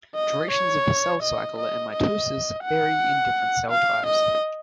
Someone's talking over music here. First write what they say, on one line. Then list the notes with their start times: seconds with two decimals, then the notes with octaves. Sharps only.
Durations of the cell cycle and mitosis vary in different cell types.
0.15 D#5
0.51 C#5
1.23 D#5
1.58 D#5
1.93 D#5
2.64 F#5
3.70 F5
4.06 D#5